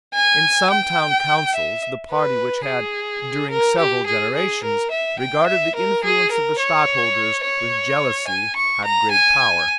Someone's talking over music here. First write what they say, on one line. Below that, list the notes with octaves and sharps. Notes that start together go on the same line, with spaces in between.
In some town councils the party which had, during several generations, regarded the influence of the Stadtholders with jealousy had great power.
G#5
G5
E5
B4
G#4
A#4
G4
G#4
G#4
A#4
E5
G5
E5
A#4
G#4
A#4
C#5
C#5
G#5
C#6
A#5
G#5